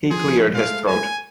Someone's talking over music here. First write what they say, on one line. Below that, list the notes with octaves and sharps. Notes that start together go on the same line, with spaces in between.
He cleared his throat.
F3 G#4
G#3 A3 F5
G#5